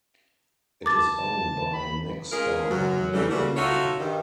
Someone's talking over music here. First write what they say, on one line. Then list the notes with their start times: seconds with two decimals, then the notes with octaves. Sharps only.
It is owned by Nexstar Media Group.
0.86 A5 D6 A6
1.73 B5
2.32 G#3 C#4 F4 G#4 A#4
2.70 F#2 F#3
3.14 G#2 C#3 E3 G3 A3
3.30 A#2 C#3 G3 A3 A#3 F#4
3.57 D#4 F4 F#4 A4 C#5 E5
4.00 G2 D#3